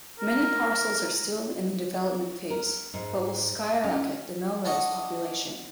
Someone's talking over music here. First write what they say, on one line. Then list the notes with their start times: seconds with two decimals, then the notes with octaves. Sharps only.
Many parcels are still in the development phase, but will skyrocket the Melrose population.
0.19 A#4
2.50 A#4
2.94 G#2
3.84 C#4
4.65 D4 C#5 D#5 F#5